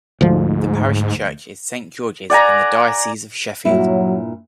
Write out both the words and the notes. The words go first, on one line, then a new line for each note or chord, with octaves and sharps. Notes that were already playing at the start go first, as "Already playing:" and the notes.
The parish church is Saint George's, in the Diocese of Sheffield.
D2 G#2 F3
D5 F#5 G#5 A#5
G2 A#2 F#3 E4